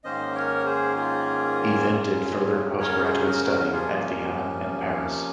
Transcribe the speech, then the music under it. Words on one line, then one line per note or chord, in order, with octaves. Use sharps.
He then did further postgraduate study at Vienna and Paris.
G#2 D#3 A#3 C#4 C5 D#5
A#4 C#5
G#4 C5
F4 G#4
C#3 F#3 C#4
A#4 C#5
G#4 C5
F#4 A#4
F#4 A#4
C3 F3 A#3 C#4 F4 G#4